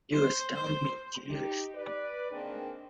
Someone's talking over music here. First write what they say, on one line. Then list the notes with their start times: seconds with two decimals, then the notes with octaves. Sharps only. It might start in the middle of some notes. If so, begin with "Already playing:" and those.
You astound me, Jeeves.
0.12 C5
0.55 C5
1.30 D#4 G4
1.75 B4 D5
2.31 D#3 A#3 C4 D4 G#4